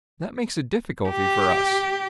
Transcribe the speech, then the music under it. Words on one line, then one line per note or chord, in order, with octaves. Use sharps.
That makes a difficulty for us.
G4